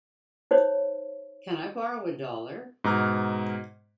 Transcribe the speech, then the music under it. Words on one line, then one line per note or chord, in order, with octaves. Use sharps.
Can I Borrow a Dollar?
D#4 C5 C#5
G#2 B2 A#5 F6